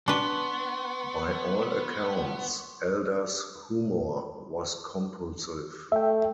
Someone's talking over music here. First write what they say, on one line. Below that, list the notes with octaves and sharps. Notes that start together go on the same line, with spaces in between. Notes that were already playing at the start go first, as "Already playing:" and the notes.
By all accounts, Elder's humor was compulsive.
B3 D4 B4 C6 C#6
A3 E5 G5